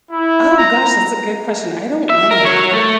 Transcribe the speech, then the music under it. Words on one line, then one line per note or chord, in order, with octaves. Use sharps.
Oh, gosh, that's a good question, I don't know.
E4
A#5
E5
A#4
F#3 C#5
A3